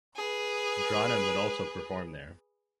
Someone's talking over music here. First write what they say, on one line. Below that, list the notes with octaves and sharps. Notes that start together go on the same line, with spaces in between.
Dranem would also perform there.
G#4 B4